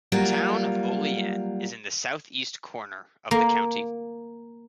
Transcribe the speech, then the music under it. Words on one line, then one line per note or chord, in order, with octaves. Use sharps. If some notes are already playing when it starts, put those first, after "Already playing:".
The town of Olean is in the southeast corner of the county.
F#3 G3 A#3 F4
A#3